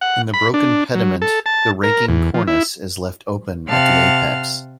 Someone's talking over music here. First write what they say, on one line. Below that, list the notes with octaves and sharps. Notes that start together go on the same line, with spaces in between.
In the broken pediment the raking cornice is left open at the apex.
F#5
B5
D4
F#3
A4
A5
A#4
E2
F3
E4
C3 F5 F#5 A5 F6